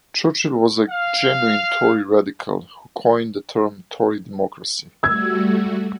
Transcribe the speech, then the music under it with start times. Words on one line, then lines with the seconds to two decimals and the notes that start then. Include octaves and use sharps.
Churchill was a genuine Tory radical, who coined the term Tory Democracy.
0.90 F5
5.03 G3 A3 F#4 E6 G#6